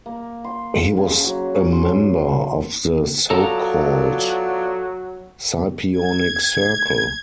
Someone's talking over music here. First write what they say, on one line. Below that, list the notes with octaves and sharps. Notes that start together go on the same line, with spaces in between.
He was a member of the so-called Scipionic Circle.
A#3
C6
C#3
F#3
C#4
C6
F#3 B3 F4 A4 D5 A#5
G#6